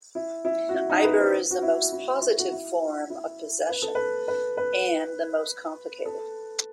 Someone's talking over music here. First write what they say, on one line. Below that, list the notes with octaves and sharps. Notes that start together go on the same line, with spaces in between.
"Ibbur" is the most positive form of possession, and the most complicated.
E4
E4
F#4
E4
D#4
B4
C5
F#4
E4
E4
E4
F#4
E4
E4
B4
A4
B4
B4
B4
A4